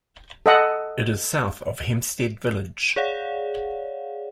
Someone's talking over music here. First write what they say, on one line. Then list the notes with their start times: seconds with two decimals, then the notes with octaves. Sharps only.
It is south of Hempstead village.
0.46 A4 D#5 F#5
2.96 G#4 C#5 D5 F5 F#5